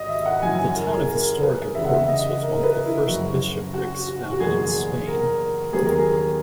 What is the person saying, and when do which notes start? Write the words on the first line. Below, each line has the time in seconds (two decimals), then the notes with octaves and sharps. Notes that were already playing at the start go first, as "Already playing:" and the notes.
The town of historic importance was one of the first bishoprics founded in Spain.
Already playing: G#1 D#5
0.09 E5
0.26 F#5
0.42 F#1 F#2 E3 G#5
0.58 G#5
0.75 A#4
0.92 G#4
1.09 A#4
1.42 B4
1.75 E2 C#3 G#3 E5
1.85 F#5
1.94 E5
2.08 D#5
2.41 A#4
2.63 B4
2.86 E4
3.08 F#1 F#2 C#3 F#4
3.74 F#4
4.08 F#4
4.32 F#4
4.40 F#1 E2 B2 A#3 G#4
5.07 A#4
5.73 D#2 D#3 F#3 B3 G#4
5.85 A#4
5.98 G#4